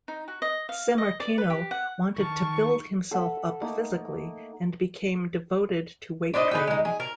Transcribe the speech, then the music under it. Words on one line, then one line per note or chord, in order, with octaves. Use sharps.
Sammartino wanted to build himself up physically and became devoted to weight training.
D#4
F#4
D#5
F5
D#5
D5
B4
G4
F#5
D#3 A#4 A5 C#6
A4 E5 F#5
A3 A#3 D#4
D4 B4 C5 D#5
D#4 G#4 B4
G#3 D#4
G#4
A#4